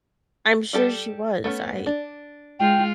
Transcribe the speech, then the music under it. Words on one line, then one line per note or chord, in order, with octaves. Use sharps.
I'm sure she was. I
G3 G4 A4
A3 B3 C#4
D4
G#3 F4 G5